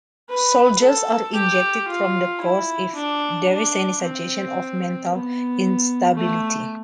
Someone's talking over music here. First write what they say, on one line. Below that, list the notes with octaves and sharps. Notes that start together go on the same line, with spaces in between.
Soldiers are ejected from the course if there is any suggestion of mental instability.
B4
A4
G4
F4
E4
D4
D4
C4
B3
A3